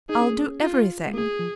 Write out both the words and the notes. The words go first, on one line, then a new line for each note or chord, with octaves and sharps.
I'll do everything.
D#4 G#4
C#4
A#3
C#4
F4
G#3
A#3 G#4
F3